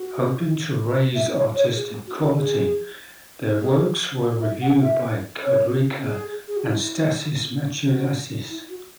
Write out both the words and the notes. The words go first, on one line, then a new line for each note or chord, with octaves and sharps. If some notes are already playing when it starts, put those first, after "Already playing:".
Hoping to raise artistic quality, their works were reviewed by Kudirka and Stasys Matulaitis.
Already playing: F#4
E5
C#5
C#5
G#4
F#4
F#4
G#4
G#4
F#4
E5
F#5
E5
C#5
G#4
G#4
F#4
E4
F#4
E4
F#4